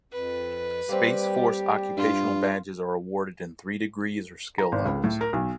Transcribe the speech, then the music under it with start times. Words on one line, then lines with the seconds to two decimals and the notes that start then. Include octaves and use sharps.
Space Force occupational badges are awarded in three degrees or skill levels.
0.12 F2 B4
0.89 G3 A#3 C4 G4
1.97 G2 F4
4.58 A#5
4.72 G#1
4.85 C#2
5.04 A2
5.21 A#4
5.33 B1